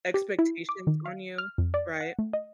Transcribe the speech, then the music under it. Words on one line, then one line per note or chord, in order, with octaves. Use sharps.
expectations on you, right?
G4
E4
D6
D#3
F5
F6
F2
D5
F#5
A3
D#5